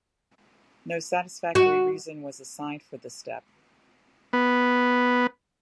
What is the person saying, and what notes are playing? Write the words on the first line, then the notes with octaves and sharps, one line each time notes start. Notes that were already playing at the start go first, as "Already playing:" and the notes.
No satisfactory reason was assigned for this step.
F#4
B3